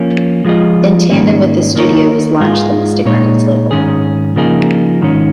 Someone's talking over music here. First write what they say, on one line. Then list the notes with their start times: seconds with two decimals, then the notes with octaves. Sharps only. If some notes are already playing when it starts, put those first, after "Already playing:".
In tandem with the studio was launched the Mystic Records label.
Already playing: F3 A#3 C#4
0.45 F3 G#3 F4 G#4 D#5
1.10 G#2 D#3 A#3 C#4
1.75 D#3 A#3 D#4 A#4 C#5
2.40 G#2 G#3 F4 G#4
3.05 A#2 G#3 D#4 C#5
3.71 G#2 D#3 C#4 G#4
4.36 C#3 F3 A#3 D#4 G#4
5.02 G#2 D#3 C#4